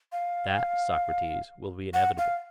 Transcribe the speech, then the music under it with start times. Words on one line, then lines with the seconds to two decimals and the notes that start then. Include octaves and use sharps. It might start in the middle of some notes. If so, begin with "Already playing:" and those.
That, Socrates, will be inevitable.
0.12 F5
1.94 F#5
2.18 F5